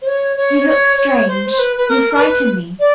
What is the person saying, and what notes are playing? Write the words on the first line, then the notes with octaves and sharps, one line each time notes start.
"You look strange, you frighten me."
C5
C#5
C#5
C#5
C#5
C5
C5
B4
B4
A#4
A#4
B4
D5